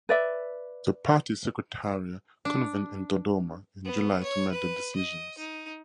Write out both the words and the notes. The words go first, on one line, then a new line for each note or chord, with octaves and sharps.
The party secretariat convened in Dodoma in July to make their decisions.
B4 D5 E5
D4
B3
C#5
B4
D#5
D#4